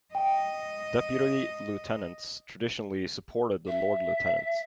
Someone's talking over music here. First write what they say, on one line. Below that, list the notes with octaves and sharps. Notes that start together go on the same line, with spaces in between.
Deputy Lieutenants traditionally supported the Lord-Lieutenant.
D#5 G5
E5